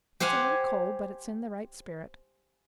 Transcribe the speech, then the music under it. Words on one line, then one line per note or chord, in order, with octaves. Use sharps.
It's a little cold, but it's in the right spirit.
G4 C5 F5 F#5 G#5